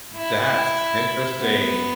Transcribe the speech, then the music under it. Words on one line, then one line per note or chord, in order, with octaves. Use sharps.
That's interesting.
E4
B3